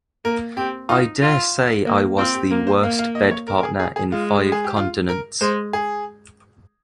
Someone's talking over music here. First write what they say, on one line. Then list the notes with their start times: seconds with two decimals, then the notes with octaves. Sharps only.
I daresay I was the worst bed partner in five continents.
0.25 A#3 A#4
0.57 C4 G4
0.89 D#4 F4
1.22 F4
1.86 A#3
2.18 C4 F4
2.35 G4
2.51 A#3 A#4
2.67 C5
2.82 A#3 F5
2.99 F5
3.15 D#5
3.31 C#5
3.48 A#4
3.58 A#4
3.63 G#4
3.80 G#4
3.96 G#4
4.11 G#3 F4
4.52 G#4
4.64 G4
4.76 F4
5.09 A#4
5.41 G#3 C5
5.73 G#4